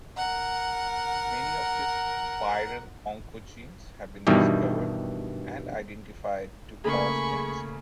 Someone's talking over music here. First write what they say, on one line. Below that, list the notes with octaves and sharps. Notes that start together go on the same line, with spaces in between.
Many of these viral oncogenes have been discovered and identified to cause cancer.
A#4 F#5
G2 B2 D#3 E3 G3
C#3 A3 A#3 G#4 B5 C#6